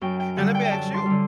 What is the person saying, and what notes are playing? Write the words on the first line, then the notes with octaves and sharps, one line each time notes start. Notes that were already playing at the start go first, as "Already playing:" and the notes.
Now let me ask you.
F#2 G5
G5
D3 G3 F#5
G5
G5
F#2 A5
C6
D3 G3